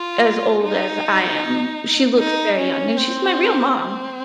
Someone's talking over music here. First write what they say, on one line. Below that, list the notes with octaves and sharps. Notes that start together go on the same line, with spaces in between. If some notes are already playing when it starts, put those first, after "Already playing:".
as old as I am. She looks very young, and she's my real mom,
Already playing: F4
D#4
D#4
C#4
C4
C4